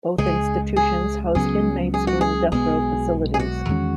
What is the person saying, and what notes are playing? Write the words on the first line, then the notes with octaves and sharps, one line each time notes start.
Both institutions house inmates in Death Row facilities.
C#2 C#3 G#3 G#4
G#4
C#2 C#3 F#3 B3 G#4
G#4
F#4
G#4
B1 B2 G#3 B3 G#4
G#4
F#4
E2 D#3 G#3 C#4